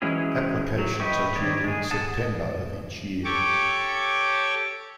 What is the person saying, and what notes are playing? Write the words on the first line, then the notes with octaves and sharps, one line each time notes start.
Applications are due in September of each year.
E3 F#3 G#3 C#4 G#4
F#3
B4 D#5 E5 G5 C#6
D#3 C4 C#5 D5
G#3 G#4
F#5 A5 D#6
G4 A4 C#5 C#6 D6